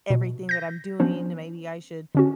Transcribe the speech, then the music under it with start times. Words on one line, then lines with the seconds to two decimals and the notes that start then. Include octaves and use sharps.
everything that I'm doing, then maybe I should
0.10 B2
0.49 G6 A#6
1.00 F3 B3 C#4 D4 C5
2.15 D3 C#4 F#4